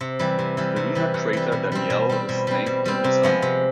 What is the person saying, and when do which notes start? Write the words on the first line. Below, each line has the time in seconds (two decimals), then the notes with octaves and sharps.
The lunar crater Daniell is named in his honour.
0.01 C3
0.19 E3 G3
0.39 C3
0.57 E3 G3
0.76 C3
0.95 E3 G3
1.14 C3
1.33 E3 G3
1.52 B2
1.72 G3 C4
1.90 B2
2.09 G3 C4
2.29 B2
2.47 G3 C4
2.66 B2
2.86 G3 C4
3.04 C3
3.23 F3 G#3 B3
3.42 C3